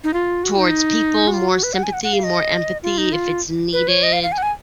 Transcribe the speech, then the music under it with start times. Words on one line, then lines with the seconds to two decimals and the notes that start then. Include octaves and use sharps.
towards people, more sympathy, more empathy, if it's needed,
0.04 D#4
0.14 F4
0.44 F#4
0.58 D#4
1.28 F#4
1.33 F4
1.49 F#4
1.63 B4
1.73 F#5
1.83 G#5
1.93 F#5
2.03 F#5
2.13 F5
2.24 D#5
2.83 F4
2.98 D#4
3.13 F4
3.73 B4
3.88 C#5
4.03 D#5
4.13 F5
4.23 F5
4.32 G#5
4.38 F#5
4.43 G#5